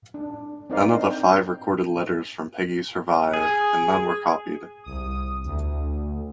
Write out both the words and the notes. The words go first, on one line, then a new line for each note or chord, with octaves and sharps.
None of the five recorded letters from Peggy survive and none were copied.
D4
C4 D4 D#4 A#4 D5 F5
G5
G#4
C2 D#6
D2